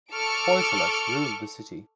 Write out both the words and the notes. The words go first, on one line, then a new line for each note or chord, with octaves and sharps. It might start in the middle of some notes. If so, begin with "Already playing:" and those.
Hoysalas ruled the city.
A4 C#6 D6 F6 C#7 D7